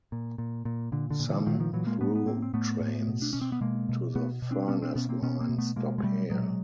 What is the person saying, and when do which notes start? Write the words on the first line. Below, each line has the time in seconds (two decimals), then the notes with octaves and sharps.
Some through trains to the Furness Line stop here.
0.12 A#2
0.38 A#2
0.65 A#2
0.92 A#2 D3
1.10 D3
1.19 A#2
1.29 D3 E3
1.46 A#2 D#3 F3
1.54 F#3
1.60 D#3 F3
1.73 A#2 E3 F#3
1.86 G#3 A#3
2.00 A2 A3 B3
2.15 B3
2.26 A2 A#3 C4
2.42 C4
2.53 A2 A3 B3
2.80 A2
3.08 B2
3.22 D4
3.33 B2 C#4
3.41 C4
3.52 B3
3.61 B2 G#3 A#3
3.89 B2
4.15 B2 A3 B3
4.42 B2
4.51 C4 D4
4.68 B2 B3 C#4
4.82 C4 D4
4.95 B2 B3 C#4
5.09 A#3 C4
5.22 B2 B3 C#4
5.41 A#3 C4
5.49 B2
5.58 A3 B3
5.76 B2 G#3 A#3
5.98 G#3
6.03 B2 G3 A3
6.30 A#2 F#3 G#3